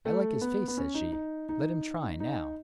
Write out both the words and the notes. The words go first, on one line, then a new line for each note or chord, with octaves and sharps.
"I like his face," said she; "let him try, now."
A3
B3
B3
C#4
D#4
D#4
D#4
D#4